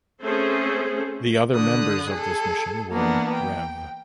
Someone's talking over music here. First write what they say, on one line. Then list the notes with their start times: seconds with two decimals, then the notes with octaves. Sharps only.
The other members of this mission were Rev.
0.21 A3 C4 C#4 G#4 A4 C5
1.54 D3 D#6 F#6
2.12 G#4 A4
2.91 E3 A#3 B3 D4
3.34 G5